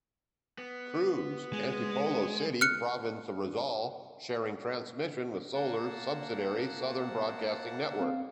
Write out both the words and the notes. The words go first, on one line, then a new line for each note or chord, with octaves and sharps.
Cruz, Antipolo City province of Rizal, sharing transmission with Solar's subsidiary, Southern Broadcasting Network.
B3
G#3
F6 F#6 C#7
A#3 F#5 A5
C4 F5